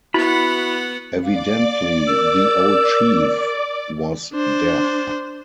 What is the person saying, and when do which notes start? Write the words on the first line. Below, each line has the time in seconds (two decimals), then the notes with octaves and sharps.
Evidently the old chief was deaf.
0.14 B3 E4 F#4 F#5 B5
1.23 D5 F5 D6
2.07 A#4 E6
4.33 D4 C5